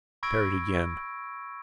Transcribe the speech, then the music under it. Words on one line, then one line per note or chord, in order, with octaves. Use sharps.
Parried again.
B5 C#6 E6 G#6 A#6 D7